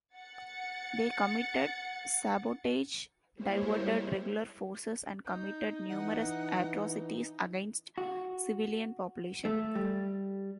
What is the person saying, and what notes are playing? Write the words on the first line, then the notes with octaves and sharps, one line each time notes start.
They committed sabotage, diverted regular forces and committed numerous atrocities against civilian population.
F#5 A6 C#7
G3 G#3 A#3 E4 C5 C#5
D#4 G6
E3 F#5
F#4
A3
G3